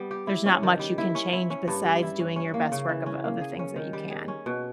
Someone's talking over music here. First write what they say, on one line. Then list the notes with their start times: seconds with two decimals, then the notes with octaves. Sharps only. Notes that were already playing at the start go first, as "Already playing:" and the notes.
there's not much you can change besides doing your best work of of the things that you can,
Already playing: G3 B3
0.11 G4
0.27 E4
0.46 C#4
0.63 D#3
0.79 G3
0.98 E4
1.15 C#4
1.33 E4
1.50 C#4
1.68 G2
1.85 G3
2.02 E4
2.19 C#4
2.36 C#4
2.54 A#3
2.72 C#3
2.89 E3
3.06 C#4
3.24 A#3
3.41 G#4
3.59 C#4
3.76 D#3
3.93 G3
4.10 G#4
4.28 C#4
4.46 B2